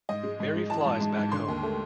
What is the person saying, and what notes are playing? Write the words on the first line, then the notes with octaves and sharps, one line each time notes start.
Mary flies back home.
G#2 D#5
G#3
G#2
G#3
E3 A5
G#2
G#2
G#2
D3 C6
D#2
A3